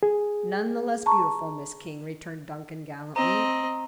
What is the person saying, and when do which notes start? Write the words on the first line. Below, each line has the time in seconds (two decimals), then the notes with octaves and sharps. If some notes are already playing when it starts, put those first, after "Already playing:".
"None the less beautiful, Miss King," returned Duncan gallantly.
0.03 G#4
1.06 A5 A#5 C#6
3.16 C4 D#5 A#5